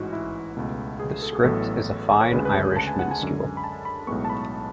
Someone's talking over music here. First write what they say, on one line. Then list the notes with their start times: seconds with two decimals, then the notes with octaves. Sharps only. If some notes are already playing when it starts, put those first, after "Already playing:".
The script is a fine Irish minuscule.
Already playing: A1 G#2 E3 E4 F#4
0.12 E4
0.57 C#2 B2 A3
0.99 G#4
1.22 A4
1.33 G#4
1.43 A1 A2 F#3 B3 A4
2.21 C#5
2.32 D2 C#3 G#3 B4
2.45 B4
2.53 C#5
2.76 A5
2.87 G#5
2.99 F#5
3.11 G#5
3.19 F#2 D3 G#3
3.57 B5
3.64 A5
3.85 B5
4.07 B1 A2 G#3 B3 C#6
4.25 A5
4.30 B5